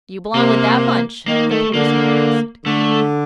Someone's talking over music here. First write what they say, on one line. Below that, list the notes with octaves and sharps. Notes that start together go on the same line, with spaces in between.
"Do you belong with that bunch?" the policeman asked.
C3 A#3
D#3 A#3
A3
D3 A#3
D3 A3